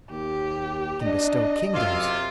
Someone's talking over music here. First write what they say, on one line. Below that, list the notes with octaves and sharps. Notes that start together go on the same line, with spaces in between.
I can bestow kingdoms.
D#2 G4
D4 D#5
F#2 C3 F4